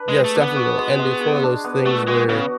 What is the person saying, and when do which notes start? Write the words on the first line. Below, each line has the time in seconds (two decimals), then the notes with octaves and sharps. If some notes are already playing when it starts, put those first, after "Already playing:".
Yes, definitely, and it's one of those things where,
Already playing: D4 B4
0.09 G#3
0.14 G#4
0.24 A3
0.35 D4
0.41 B3
0.56 F#4
0.78 G#3
0.99 G#3
1.21 G#4
1.43 D4
1.64 B3
1.85 A3 F#4
2.07 G#3 F#4
2.29 C#3 B3